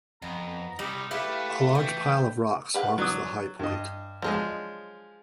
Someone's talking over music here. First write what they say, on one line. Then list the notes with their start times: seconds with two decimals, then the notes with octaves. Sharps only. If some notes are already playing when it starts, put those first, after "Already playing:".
A large pile of rocks marks the high point.
0.22 F2 B3 A#5
0.79 C2 C3 G3 D#4
1.11 A3 E4 G4 B4 F5
1.75 E3 G5
2.74 A#4 B4 F#5
2.98 F#3 D5 D#6
3.59 G2 D#5
4.22 F3 F#3 G#3 D4 D#5